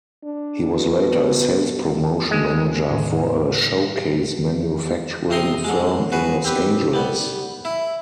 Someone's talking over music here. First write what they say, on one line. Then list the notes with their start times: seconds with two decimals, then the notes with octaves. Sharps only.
He was later a sales-promotion manager for a showcase-manufacturing firm in Los Angeles.
0.23 D4
0.73 B2
2.31 G#3
2.89 E2 A2 D#3
5.30 C3 C4 A#5 C6 D#6
5.64 D3 G#3
6.12 F#4 G#4 B4
6.44 C4 G4 B4
6.93 G3 B3
7.65 E4